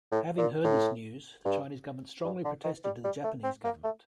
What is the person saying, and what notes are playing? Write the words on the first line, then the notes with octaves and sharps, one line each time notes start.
Having heard this news the Chinese government strongly protested to the Japanese government.
A2
A#2
A2
G2
G2
D3
D#3
G3
G3
A3
C4
A#3
A3